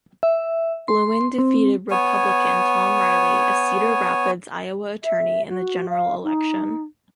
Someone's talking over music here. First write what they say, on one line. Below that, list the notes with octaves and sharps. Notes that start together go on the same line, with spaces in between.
Blouin defeated Republican Tom Riley, a Cedar Rapids, Iowa attorney, in the general election.
E5
C6
C4
B3 C#5 G#5
E5
F#4
F5
D#4